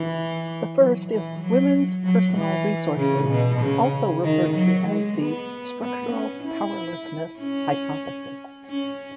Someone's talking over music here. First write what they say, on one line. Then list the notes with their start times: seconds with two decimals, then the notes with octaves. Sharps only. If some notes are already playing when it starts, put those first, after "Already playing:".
The first is women's personal resources, also referred to as the "structural powerlessness hypothesis".
Already playing: E3
0.77 F#3
1.09 E3
1.40 F#3
2.03 F#3
2.34 E3
2.97 C#3
3.30 B2
3.61 C#3
4.24 D#3
4.54 F#3
4.87 G#3
5.18 B3
5.81 B3
6.12 C#4
6.44 E4
7.39 C#4
8.65 C#4